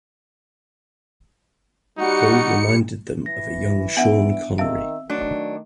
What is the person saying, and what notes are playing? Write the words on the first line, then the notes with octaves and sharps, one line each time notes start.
Paul reminded them of a young Sean Connery.
G3 D#4 F#4 C#7
E3 A#6
B3 D4 E5 F#5 D7
D#3 C4 E5 F5 E6
D#3 F#3 A3 D4